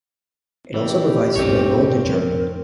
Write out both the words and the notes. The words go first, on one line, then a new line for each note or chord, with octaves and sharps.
It also provides student loans in Germany.
F#1 D#2 E3 G4
B1 F#2 A2 C4 C#5
F2 A#4